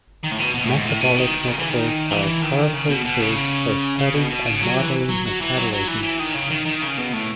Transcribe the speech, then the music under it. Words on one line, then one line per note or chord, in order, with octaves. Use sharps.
Metabolic networks are powerful tools for studying and modelling metabolism.
D#3
A2
B2
B2
A2
G#2
A2
B2
D#3
C#3
E3
D#3
E3
D#3
C#3
B2
B2
C#3
C#3
B2
B2
C#3
F#3
E3
F#3
F#3
E3
F#3
F#3
E3
E3
D#3
C#3
D#3
D#3
C#3
B2
A2